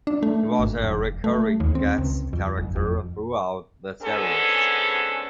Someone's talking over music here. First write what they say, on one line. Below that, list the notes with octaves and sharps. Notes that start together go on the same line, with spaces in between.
He was a recurring guest character throughout the series.
D4
A3
G#1
F1
A3
D#2
C4
C#2
F2
F#1
F2
G#2 D3 B3 C#4 G#4 A4